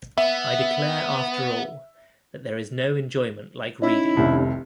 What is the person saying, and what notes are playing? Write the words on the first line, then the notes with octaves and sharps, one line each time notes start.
I declare after all there is no enjoyment like reading!
B3 E5
C#4 D#4 E4
F1 C2 D#3